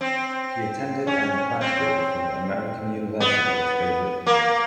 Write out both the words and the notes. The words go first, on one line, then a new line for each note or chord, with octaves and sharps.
He attended and graduated from the American University of Beirut.
C4
C#4
C4
B3
A#3